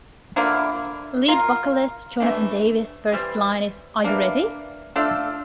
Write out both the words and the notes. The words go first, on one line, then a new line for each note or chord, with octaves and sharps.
Lead vocalist Jonathan Davis' first line is Are you ready?!
D3 F3 A#3 E4
A#3 F4 A#4
C3 E3 A3 D4
E3 G3 C4
E3 A#3 D4
A3 D4 F4 A4